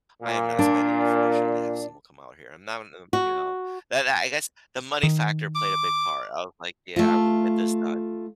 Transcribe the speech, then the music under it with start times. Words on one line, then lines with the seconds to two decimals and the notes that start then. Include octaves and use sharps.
I am not spending a fortune to have someone come out here. I'm not not you know," That that I guess the money factor played a big part. I was like, "Yeah. I'm gonna get this done."
0.23 A#2
0.59 D4
3.13 F#4
5.03 D#3
5.55 D6
6.96 A3 F4